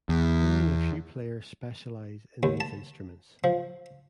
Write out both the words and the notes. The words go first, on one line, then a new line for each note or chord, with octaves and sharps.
Only a few players specialize in these instruments.
E2
D#2
A5
F3